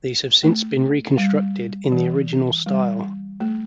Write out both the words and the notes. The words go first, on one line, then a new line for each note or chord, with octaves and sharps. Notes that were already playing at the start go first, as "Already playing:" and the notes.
These have since been reconstructed in the original style.
A3
G3
E3
G3
A3